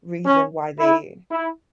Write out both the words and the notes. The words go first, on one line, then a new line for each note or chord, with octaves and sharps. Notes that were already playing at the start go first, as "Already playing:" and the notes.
reason why they
C#4
E4
E4